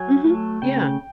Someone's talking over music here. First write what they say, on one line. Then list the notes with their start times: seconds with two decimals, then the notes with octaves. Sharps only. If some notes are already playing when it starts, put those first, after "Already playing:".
Mhm. Yeah.
Already playing: F#3 G#5
0.24 A3
0.62 C#3 G5